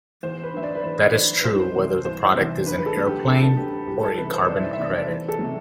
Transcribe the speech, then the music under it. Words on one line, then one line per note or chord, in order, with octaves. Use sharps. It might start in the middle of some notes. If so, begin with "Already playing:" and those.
That is true whether the product is an airplane or a Carbon Credit.
E2 C5
B4
D3 F#3 E5
D5
B4
E2 C5
D5
D3 F#3 C5
B4
C2 C5
C3 E3
C2 C5
C3 E3
D2 B4
B4
A4
D3 F#3
G4
D2 A4
G4
A4
D3 F#3 G4
C2 G4
A4
C3 E3 B4
C5
C2 D5
E5
D5
E5
C3 E3 D5
E2
A4
C3 F#3